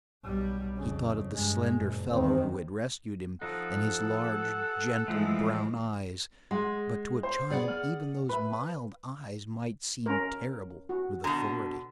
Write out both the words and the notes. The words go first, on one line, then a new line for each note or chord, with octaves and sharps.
He thought of the slender fellow who had rescued him and his large, gentle brown eyes, but to a child even those mild eyes might seem terrible with authority.
B1 G3
F2 C#3
G2 G#3
F#1 A#2
E2 D#3 C4
F3 D#4 A4 F#5
E3 F3 G#3 A3
G#3 F#5 C6
C5 C6
B3 G#4 D5 F#5
F6
B4 E5 B5
C#4 A#4
F#4
B2 D3 A#5